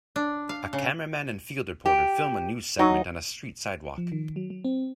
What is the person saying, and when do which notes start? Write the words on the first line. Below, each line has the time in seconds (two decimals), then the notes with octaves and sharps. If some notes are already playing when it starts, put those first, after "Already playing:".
A cameraman and field reporter film a news segment on a street sidewalk.
0.16 D4
0.49 F5
0.73 C#3
1.86 G4
2.79 F#3 D#4
3.98 F3
4.12 D#3
4.36 F#3
4.50 F#3
4.65 C4